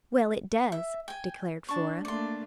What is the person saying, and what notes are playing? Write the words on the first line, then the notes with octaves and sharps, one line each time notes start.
"Well, it does," declared Flora.
E5
G5 G#5
D4 A5 C#6
A3 A#3 D4 D5 C6